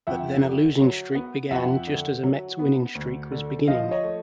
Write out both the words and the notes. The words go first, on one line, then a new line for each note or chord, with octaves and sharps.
But then a losing streak began just as a Mets winning streak was beginning.
F2 E5 F#5
D3
F#3
B3
F2 E5 F#5
D3
F#3
B3
D2
D3
F3 D#5 F5
C#5 D#5
A3